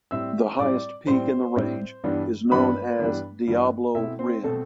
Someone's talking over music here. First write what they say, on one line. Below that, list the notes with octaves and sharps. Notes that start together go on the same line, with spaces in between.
The highest peak in the range is known as Diablo Rim.
A2 G3 C4 E5 E6
A2 G3 C4 D5 D6
A2 G3 C4 C5 C6
A2 G3 C4
G2 E3 G3 B3 D4
G2 E3 G3 B3 D4 B4 B5
G2 E3 G3 B3 D4
G2 E3 G3 B3 D4
B2 A3 C4 E4 E5
C4 C5
B2 A3 C4 A4